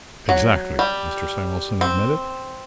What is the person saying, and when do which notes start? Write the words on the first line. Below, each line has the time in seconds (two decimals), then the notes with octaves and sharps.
"Exactly!" Mr. Samuelson admitted.
0.29 F#3
0.79 G3
1.81 C4